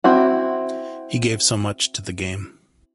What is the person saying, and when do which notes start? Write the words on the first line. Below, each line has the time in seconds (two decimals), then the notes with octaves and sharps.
He gave so much to the game.
0.04 C4 E4 F#4